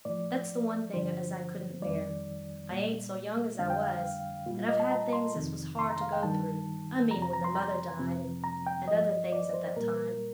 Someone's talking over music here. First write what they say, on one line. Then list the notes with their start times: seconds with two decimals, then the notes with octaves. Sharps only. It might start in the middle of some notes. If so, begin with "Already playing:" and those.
That's the one thing as I couldn't bear. I ain't so young as I was, and I've had things as was hard to go through--I mean when the mother died and--and other things at that time.
0.05 A2 F3 D5
0.94 G2 D3 F3 C5
1.82 F2 D#3 G3 D5
2.70 A#2 G3
3.59 F2 D3 G3 F5
3.70 G5
3.81 F5
4.46 A#2 G3 F4
4.58 F4
4.68 D#5
4.80 A5
4.91 A#5
5.13 C6
5.35 F2 C3 D#3
5.79 C6
5.90 A#5
6.01 F5
6.13 G5
6.23 G2 D#3 G3 A5
7.11 F2 C3 F3 A#5
7.22 A#5
7.33 A#5
7.44 C6
7.55 A#5
7.99 F2 C3 F3
8.44 A#5
8.67 G5
8.88 G2 F3 D#5
9.32 D5
9.54 C5
9.76 A#2 G3 A#4